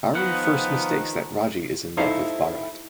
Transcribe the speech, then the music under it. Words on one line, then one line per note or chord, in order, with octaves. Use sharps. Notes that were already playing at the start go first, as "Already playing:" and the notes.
Hari first mistakes that Raji is in love with Bharat.
D#3 F3 B3 F#5
D#4 E4 G4 A4 C5 F5